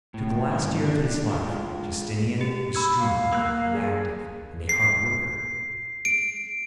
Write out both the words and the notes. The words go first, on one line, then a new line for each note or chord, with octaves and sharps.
To the last year of his life Justinian was strong and active and a hard worker.
A2
G2 C#3 E3 G3
D4
G#3 F4
G4
B5 E6 G#6
F5
A#3 E6 F#6
G#4
C7
D7